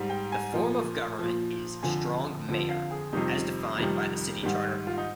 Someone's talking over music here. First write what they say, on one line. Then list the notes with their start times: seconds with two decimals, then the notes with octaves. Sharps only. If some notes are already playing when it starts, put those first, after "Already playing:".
The form of government is strong-mayor, as defined by the City Charter.
Already playing: G#2 G3
0.10 G5
0.32 G#5
0.54 A#2 F3
1.19 A#2 F3
1.83 F2 D3 F3 G#5
2.49 F2 D3 F3
2.69 F5
2.91 G#4
3.13 F2 C3 D#3 G3 D#4
3.78 F2 C3 D#3 G3
4.43 G#2 D#3 G3
4.87 F4
4.97 D#4